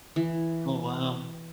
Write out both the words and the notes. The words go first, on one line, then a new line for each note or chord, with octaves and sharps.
Oh, wow.
E3